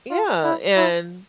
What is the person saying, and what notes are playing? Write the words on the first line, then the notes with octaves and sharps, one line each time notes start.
Yeah, and
F4
E4
E4